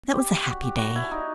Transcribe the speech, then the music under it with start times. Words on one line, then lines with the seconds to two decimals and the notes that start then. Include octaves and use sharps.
That was a happy day.
0.14 G4
0.30 G4
0.46 F#4
0.63 G4
0.78 F#4
0.96 E4
1.11 D#4